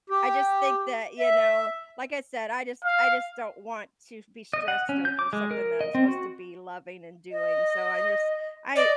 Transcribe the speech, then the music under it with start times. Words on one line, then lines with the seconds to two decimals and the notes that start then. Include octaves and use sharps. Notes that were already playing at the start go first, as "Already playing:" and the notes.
I just think that you know, like I said, I just I just don't want to be stressed over something that I'm supposed to be loving and doing, so I just I
0.10 G4
1.19 E5
2.84 F5
4.53 D#5
4.68 F#5
4.89 C#4
5.05 G6
5.19 D6
5.33 G#3
5.51 A#4
5.81 D#5
5.95 C4
6.08 F#4
7.32 D#5
8.76 D5 D#5